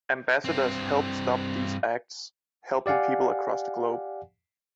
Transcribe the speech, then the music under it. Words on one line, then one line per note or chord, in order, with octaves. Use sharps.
Ambassadors help stop these acts, helping people across the globe.
G2 C4
G4 D5 F5 F#5 G#5